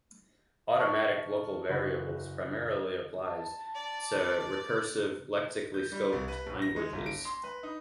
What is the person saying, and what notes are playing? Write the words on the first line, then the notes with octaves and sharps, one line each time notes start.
Automatic local variables primarily applies to recursive lexically-scoped languages.
A5 C#6 F6
F#1 F#4 B4
A5
D5
G6
G3
C2
B4
A#1
A#6
G#3
G1
D7
C6
B4
D#4